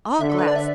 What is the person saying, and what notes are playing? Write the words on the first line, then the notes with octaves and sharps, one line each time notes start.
"All glass."
D3 E5
A4
B4
D5
E5